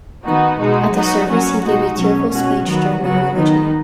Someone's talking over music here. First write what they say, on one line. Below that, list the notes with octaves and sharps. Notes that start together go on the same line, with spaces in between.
At the service, he gave a tearful speech during the eulogy.
D#3 B3 D#4 F#4
B2 G#3 D#4 F#4
F#3 B3 D#4 F#4
F#3 C#4 F#4
B2 G#3 D#4 F#4
B2 F#3 C#4
B2 G#3 C#4 F#4
D#3 F#3 B3 F#4
C#3 F#3 B3 F#4
D#3 B3 D#4